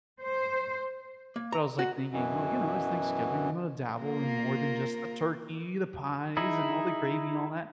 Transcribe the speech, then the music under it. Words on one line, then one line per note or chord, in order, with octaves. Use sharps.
but, I was, like, thinking, "Well, you know, it's Thanksgiving, I'm gonna dabble in more than just the turkey, the pies, and all the gravy, and all that.
C5
A#3
A#5
F#4
F#2 B2 E3
A#3 F4 A#4
D#4 E4 G#4